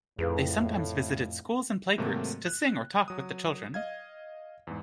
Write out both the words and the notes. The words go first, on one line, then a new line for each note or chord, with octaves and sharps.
They sometimes visited schools and playgroups, to sing or talk with the children.
F2 A2 G#4 B4 F5
G#2 C3 D#3 F#3 A3 A#3
F#6
F#3 D#6
D#5 F5 G#6
E2 G#2